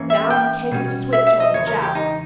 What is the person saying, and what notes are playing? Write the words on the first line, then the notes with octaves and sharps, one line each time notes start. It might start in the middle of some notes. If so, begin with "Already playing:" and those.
Down came the switch on Jack.
Already playing: G#2 E3 A#3 C#4
E5
G5
B2 G3 C#4
E5
E5
D#5
E2 C#3 G#3 C#5
A#4
G4
D#4